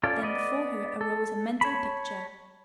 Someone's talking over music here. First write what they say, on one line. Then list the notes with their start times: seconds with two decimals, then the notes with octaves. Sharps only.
Then before her arose a mental picture.
0.03 C#4 F4 A4 D5
0.22 B3 D5 D#5
1.01 A4
1.61 C#5 A5 B5